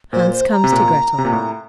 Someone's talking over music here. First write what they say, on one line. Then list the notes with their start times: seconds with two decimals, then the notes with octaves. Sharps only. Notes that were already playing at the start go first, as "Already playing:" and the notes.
Hans comes to Grettel.
0.13 A#2 C5
0.32 C5
0.52 A#5
0.64 C3
0.72 A#2
1.18 C3
1.25 A#2
1.32 A2